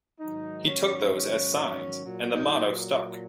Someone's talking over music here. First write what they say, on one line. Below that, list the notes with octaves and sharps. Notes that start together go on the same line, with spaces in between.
He took those as signs, and the motto stuck.
G#2 D#3 F#3 D#4
C#4
C#4
C#4
A#2 F#3
D#4